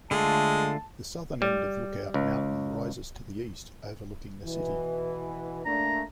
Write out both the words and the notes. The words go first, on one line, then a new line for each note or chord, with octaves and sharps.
The southern end of Lookout Mountain rises to the east overlooking the city.
D3 G#3 A3 F4 A5
G3
C#2
B2 E3
A3 A#3 D4 A#5